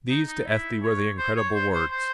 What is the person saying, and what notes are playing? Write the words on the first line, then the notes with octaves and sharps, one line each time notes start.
These to Ethne were the incredible words.
D#4
D#4
E4
C#5
C5
C#5
C5
C5
C5